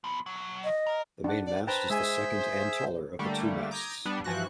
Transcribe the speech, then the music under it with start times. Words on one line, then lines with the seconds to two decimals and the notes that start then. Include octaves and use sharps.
The main mast is the second and taller of the two masts.
0.04 F3 B3
0.26 B1 F#3
0.64 D#5
0.87 A#4 A#5
1.24 D4 F#5
1.46 D5
1.67 B4 C5 G5 A5 A#5
1.90 G#3 G#4 E5 G#5 E6
3.19 D3 G3 A3 A#3
3.71 A#5 D6 D#6 G6 G#6 A#6
4.05 G3 B3 D4
4.24 G2 E3 F3 F#4 C#6 F#6